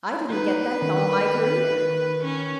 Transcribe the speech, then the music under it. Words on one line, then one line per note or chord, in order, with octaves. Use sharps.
"I didn't get that in all my career."
D#4 B4
D#3
C#4